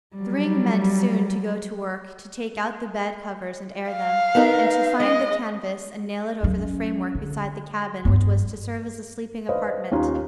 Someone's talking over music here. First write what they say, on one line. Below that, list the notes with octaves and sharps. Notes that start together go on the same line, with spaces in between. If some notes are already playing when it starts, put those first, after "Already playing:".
Thryng meant soon to go to work, to take out the bed covers and air them, and to find the canvas and nail it over the framework beside the cabin which was to serve as a sleeping apartment.
F#3 G3
F5
B3 D#4 A#4
G#3 D#5
F#3 C#4
D3
G2 B3
B4 C5 D5 D#5 F5
D#2 C#4 D#4 F4